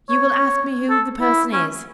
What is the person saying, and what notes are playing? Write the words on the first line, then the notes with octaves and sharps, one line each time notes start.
You will ask me who the person is.
C#5
A4
E4
C#4